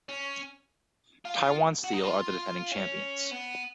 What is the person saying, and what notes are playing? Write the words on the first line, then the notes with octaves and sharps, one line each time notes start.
Taiwan Steel are the defending champions.
C#4
F4
F#4
D#4
F4
C#4
B3